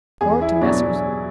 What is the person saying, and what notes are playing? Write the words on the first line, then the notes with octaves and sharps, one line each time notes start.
Or to Messrs.
E2 G#4
E4
B2 F#3 D4